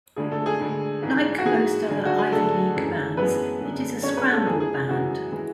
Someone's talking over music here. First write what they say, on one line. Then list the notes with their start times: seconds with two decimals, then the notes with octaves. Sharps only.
Like most other Ivy League bands, it is a scramble band.
0.16 D2 D3 G#3 G#4
0.31 A3 A4
0.46 G#4
0.60 D2 D3 G#3
1.03 G#2 E3 G#3
1.38 F#4
1.46 G#2 E3 G#3 G#4
1.88 D2 D3 G#3
2.05 F#4
2.18 G#4
2.32 D2 D3 G#3 A3 A4
2.75 F#2 E3 G#3
3.17 F#2 E3 G#3 B3 B4
3.61 F#2 D3 G#3
4.03 F#2 D3 G#3 C#4 C#5
4.17 B3 B4
4.32 A3 A4
4.46 F#2 E3 G#3 G#4
4.60 G#4
4.75 G#4
4.89 F#2 E3 G#3 F#4
5.32 E3 G#3